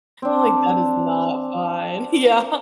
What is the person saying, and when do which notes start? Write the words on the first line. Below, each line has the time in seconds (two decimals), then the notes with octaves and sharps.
Like, "That is not fine." Yeah.
0.22 C4 D4